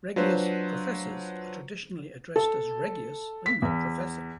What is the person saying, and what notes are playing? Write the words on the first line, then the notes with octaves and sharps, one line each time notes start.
Regius professors are traditionally addressed as "Regius" and not "Professor".
F#3 D4 F4 B4 C5
A4
B6
E2